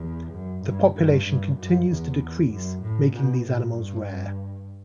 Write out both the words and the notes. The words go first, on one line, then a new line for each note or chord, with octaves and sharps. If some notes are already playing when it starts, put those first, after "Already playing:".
The population continues to decrease, making these animals rare.
Already playing: E2
F#2
G2
G2
G2
F#2
E2
F#2
A2
B2
A2
G2